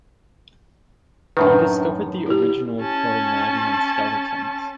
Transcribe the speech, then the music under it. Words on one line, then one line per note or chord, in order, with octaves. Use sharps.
He discovered the original Cro-Magnon skeletons.
F#2 A2 D#3 D4 B4
E4 G4
C#4 A5